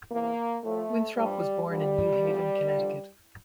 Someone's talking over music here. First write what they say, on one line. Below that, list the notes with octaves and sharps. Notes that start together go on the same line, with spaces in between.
Winthrop was born in New Haven, Connecticut.
E2 C3 E3 A#3
A2 F3 A3
G2 F3 G3
D2 D3 F3 G3
E2 D3 F3
G2 D3 F3